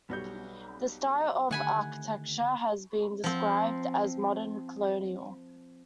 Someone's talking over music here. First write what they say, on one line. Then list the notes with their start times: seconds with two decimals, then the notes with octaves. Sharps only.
The style of the architecture has been described as Modern Colonial.
0.10 B1 G3 B3 F#4 C#5 G6
1.51 D3 D#3 A3 G4 F#5 G#5 B5
3.24 F3 C4